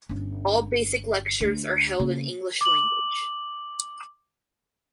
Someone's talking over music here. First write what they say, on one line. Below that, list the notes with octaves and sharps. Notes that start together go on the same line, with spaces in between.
All basic lectures are held in English language.
G1 C#4
D2
C#3 A#3
D6 F#7